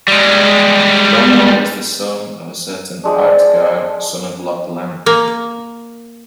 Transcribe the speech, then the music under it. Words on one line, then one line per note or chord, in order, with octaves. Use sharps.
Domnall was the son of a certain Artgar son of Lochlann.
G3 G#3
F3 G#3 D4
A#3